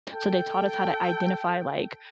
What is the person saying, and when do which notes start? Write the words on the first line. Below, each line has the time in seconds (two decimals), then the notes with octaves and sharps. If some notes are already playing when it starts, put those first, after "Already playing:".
So they taught us how to identify, like,
0.13 A4 G5